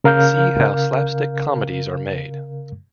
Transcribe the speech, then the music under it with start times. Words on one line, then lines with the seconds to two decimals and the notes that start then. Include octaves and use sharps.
See how slapstick comedies are made.
0.04 C#3 A#4 F5 F6 G6